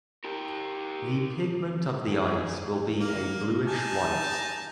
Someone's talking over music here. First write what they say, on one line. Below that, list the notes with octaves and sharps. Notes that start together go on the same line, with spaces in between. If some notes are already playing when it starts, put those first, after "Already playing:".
The pigment of the eyes will be a bluish white.
G4 A#4
F#2 D#3 F#3 G#4
A#3
D#4 G#5 A5